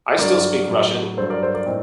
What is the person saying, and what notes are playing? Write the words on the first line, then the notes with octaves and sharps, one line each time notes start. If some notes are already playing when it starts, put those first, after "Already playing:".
I still speak Russian.
G2 D3 F#3 A#4 D5
A2 F#3
G2 F#3 A4 C5
A#4 D5
A4 C5
A#4 D5
A2 C4 D#4